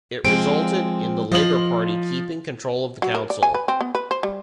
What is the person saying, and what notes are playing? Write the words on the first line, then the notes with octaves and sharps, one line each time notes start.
It resulted in the Labour Party keeping control of the council.
F3 G#3 C4 D7
F3 F4 D#5 F#7
F#3
A#4
D5
G#5
B4
C4
B3
B4
C5
G3